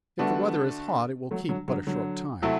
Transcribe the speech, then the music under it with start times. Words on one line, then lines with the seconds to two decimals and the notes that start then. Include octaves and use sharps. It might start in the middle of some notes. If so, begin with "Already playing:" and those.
If the weather is hot, it will keep but a short time.
0.19 D3 G3 A3 B3 D4 F#4
1.31 F#3 A3
1.49 D3 F#3
1.68 D3 F#3
1.87 D3 F#3
2.42 C3 F#3 A3 E4